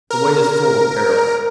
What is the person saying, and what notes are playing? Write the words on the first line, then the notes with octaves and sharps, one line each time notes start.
The way is full of peril.
A#4